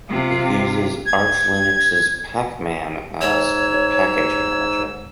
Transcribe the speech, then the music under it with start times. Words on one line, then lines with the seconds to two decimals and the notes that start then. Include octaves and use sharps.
It uses Arch Linux's Pacman as the package manager.
0.10 C3 F4
1.06 G#6
3.21 G#2 C#5 E6